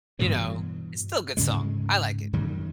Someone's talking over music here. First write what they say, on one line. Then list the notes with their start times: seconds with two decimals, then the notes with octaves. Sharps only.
you know, it's still a good song. I like it.
0.19 G2 B2 E3 F#3
1.37 D2 G#2 C#3 G#3
2.33 F#2 D#3 F#3 G3